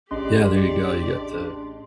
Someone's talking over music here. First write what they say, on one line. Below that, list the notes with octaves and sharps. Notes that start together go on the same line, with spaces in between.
Yeah, there you go. You got the,
A1 C#4 D4 G4 G#4 D5 D#5 C6